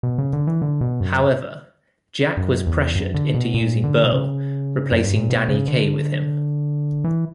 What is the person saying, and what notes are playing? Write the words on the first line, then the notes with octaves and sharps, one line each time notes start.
However, Jack was pressured into using Berle, replacing Danny Kaye with him.
B2
C#3
D3
E3
D3
B2
F#2
F#2
E2
F#2
D3
B2
A#2
D3
B2
C#3
F#2
G2
A#2
B2
C#3
D3
E3